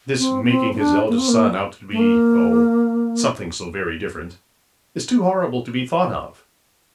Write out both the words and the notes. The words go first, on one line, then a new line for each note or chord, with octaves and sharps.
This making his eldest son out to be--oh, something so very different--is too horrible to be thought of.
C4
C4
C4
D4
A#3
C4
A#3
A3
A#3